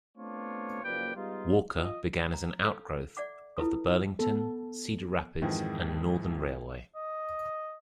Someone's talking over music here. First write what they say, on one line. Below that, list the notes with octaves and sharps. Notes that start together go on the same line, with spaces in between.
Walker began as an outgrowth of the Burlington, Cedar Rapids and Northern Railway.
A3 B3 C4 D4 F4 C#5
F#1 F3 A#3 B4 D5 G5
G3 G#3 B3 D#4 F4
F4 D#5
A#5
A4 F5
D5 E5 F#5 D6
E4 F4 A4 B4 D#6
B3 A4
F2 G#2 D#3 E3
D#5